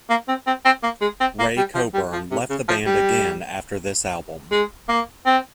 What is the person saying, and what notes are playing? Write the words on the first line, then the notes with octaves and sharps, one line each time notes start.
Ray Coburn left the band again after this album.
A#3
C4
C4
C4
A#3
G#3
C4
A#3
G3
F3
G3
F3
C3
C#3
F3
G3
G#3
A#3
C4